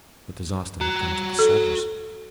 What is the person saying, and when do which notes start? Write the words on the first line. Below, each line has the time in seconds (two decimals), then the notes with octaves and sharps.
But disaster had come to the soldiers.
0.81 F#4 A#5
1.39 A4